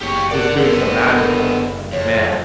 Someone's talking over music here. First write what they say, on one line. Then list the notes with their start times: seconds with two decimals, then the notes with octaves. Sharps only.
just doing some magic right there, like, man.
0.02 F#1 G4 C#5
0.31 A#4 D5 F#5
0.57 D3 B3 A#4
1.93 F2 C#5